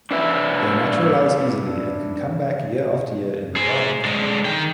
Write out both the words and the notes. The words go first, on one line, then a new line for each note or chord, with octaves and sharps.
They naturalize easily and can come back year after year in the garden.
D4 B4 E5
G#4 C5
D3 G#3
D#3 G5